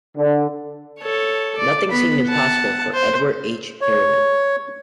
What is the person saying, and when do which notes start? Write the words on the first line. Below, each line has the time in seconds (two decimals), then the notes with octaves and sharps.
Nothing seemed impossible for Edward H. Harriman.
0.17 D3
1.00 A4 C#5
1.57 D5
1.91 B3 B5
2.26 F#5 A5
2.93 C5
3.81 C#5